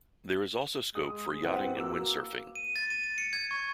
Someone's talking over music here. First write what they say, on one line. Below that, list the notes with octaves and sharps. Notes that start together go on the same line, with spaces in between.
There is also scope for yachting and windsurfing.
G#3 G#4 D#6
C4 E4 B4 F#5
A#3 F#4 D6 E6
D#7
A6
D#7
D#7
C#7
G#6
C#6